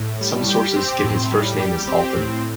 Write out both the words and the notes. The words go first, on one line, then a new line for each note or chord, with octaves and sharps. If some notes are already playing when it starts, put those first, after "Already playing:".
Some sources give his first name as Alton.
Already playing: A2
G3
G4
C4
A2
G3
G4
C4
A2